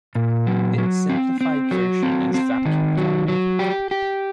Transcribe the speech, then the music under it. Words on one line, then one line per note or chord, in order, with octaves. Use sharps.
Its simplified version is vacuum forming.
A#2
F#3
F#3
C4
C4
F#3
C4
C4
D#3
F#3
F#3
G4
G4